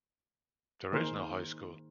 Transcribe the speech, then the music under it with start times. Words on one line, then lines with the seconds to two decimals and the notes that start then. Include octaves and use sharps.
There is no high school.
0.92 D#3 A#3 G#4 A#4 C5